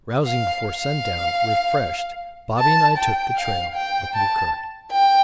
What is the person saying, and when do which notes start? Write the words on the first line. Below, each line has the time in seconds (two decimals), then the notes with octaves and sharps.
Rousing before sundown, refreshed, Bobby and I took the trail with new courage.
0.24 F5
0.64 F5
2.59 A5
2.97 G5
3.36 F5
3.75 G5
4.14 A5
4.92 G5